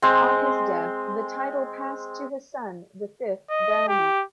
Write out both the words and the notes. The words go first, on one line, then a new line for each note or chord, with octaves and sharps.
On his death the title passed to his son, the fifth Baronet.
G#3 C4
D#5
G4